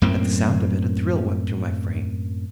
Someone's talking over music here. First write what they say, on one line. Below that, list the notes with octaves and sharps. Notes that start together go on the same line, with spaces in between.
At the sound of it, a thrill went through my frame.
F#2 A2 A#3 C4